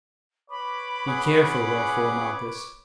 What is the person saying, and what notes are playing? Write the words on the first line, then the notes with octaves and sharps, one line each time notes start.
Be careful, therefore, Malchus.
B4 C#5 B5 D6
C#4 G#4 F#5